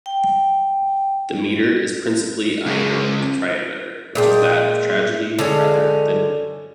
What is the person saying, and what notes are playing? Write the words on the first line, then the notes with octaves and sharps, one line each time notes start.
The meter is principally iambic trimeter, which is that of tragedy rather than comedy.
G5
C#3 G#3
A#2 G#3 G5
D3 G#3 C#4